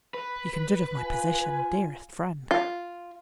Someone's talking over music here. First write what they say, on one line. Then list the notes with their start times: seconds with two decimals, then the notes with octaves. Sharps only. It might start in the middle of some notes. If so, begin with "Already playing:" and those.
You can judge of my position, dearest friend.
0.14 B4
0.98 F4 G#5
2.51 F4